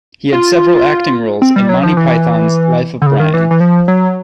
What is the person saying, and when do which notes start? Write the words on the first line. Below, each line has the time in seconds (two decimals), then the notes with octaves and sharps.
He had several acting roles in "Monty Python's Life of Brian".
0.33 F4
1.42 C4
1.56 G3
1.69 F#3
1.83 F3
1.97 E3
3.02 D3
3.06 C#3
3.20 D#3
3.34 E3
3.51 E3
3.60 F3
3.88 F#3